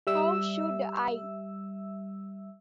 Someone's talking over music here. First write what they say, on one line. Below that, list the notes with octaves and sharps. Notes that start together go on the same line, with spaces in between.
How should I?
G3 E5 E6